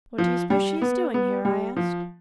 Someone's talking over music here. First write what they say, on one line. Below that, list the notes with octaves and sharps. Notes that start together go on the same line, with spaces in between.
"What do you suppose she is doing here?" I asked.
F3
G3
B3
B3
G3
F3